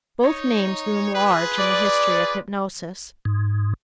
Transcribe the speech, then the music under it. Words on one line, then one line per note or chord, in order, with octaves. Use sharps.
Both names loom large in the history of hypnosis.
D#4 C#5
F4 G#4 B4
D5
G#2